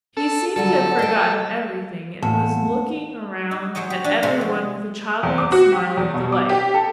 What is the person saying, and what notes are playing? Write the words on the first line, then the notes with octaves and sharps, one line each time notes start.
He seemed to have forgotten everything, and was looking round at every one with a childlike smile of delight.
A4
D3 F#3 G3 A4
D#5 G5
E2 A2 A3 A#3 F#5 A5
D#4
F#3 G#4 C5 C#5 D#5
G4
D4 E5 G#5 A5
C3 G#3 C4 F#4 F5 C6
F3
E2
D6
F#4
G4
E2
B2
D6
G4
A4